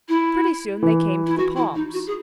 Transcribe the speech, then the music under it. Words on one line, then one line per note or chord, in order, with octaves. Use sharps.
Pretty soon they came to the palms.
E4
E3
E4
F#4
E4
D#4
F#4
G#4